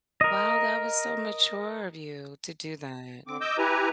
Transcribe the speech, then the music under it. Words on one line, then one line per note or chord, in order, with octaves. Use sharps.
Wow, that was so mature of you to do that.
A#4 D#5
D3 C4 D6
D#5 D6 E6 G6
E4 G4 B4 G#5 A#5